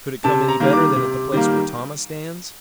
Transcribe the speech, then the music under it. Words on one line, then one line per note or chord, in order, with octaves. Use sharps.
"Could it come any better than at the place where Thomas stands?"
C3 A5
A#5
D#3 G3 A#3
D6
C3
D#3 G3 A#3